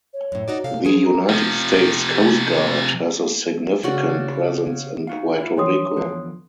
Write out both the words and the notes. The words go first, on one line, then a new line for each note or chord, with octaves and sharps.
The United States Coast Guard has a significant presence in Puerto Rico.
C#5
F#2 A2
D#4 F#4 D5
C3 A4 F5
F3 G#4
A#5
C3 F3
C#3 F#4 D5
D#4 F#4 F5
D3 E4 F4
E3 F3 C#5 C6 D#6
E2 D3 F3